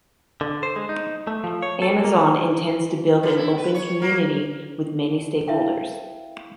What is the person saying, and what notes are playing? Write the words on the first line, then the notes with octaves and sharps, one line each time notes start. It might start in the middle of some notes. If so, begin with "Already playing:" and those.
Amazon intends to build an open community with many stakeholders.
D3
C5
G#3
D#4
A3
F3
C#5
A4
A#3
E3
E4
B4
C#5
A#3
E4 E5 F5 G5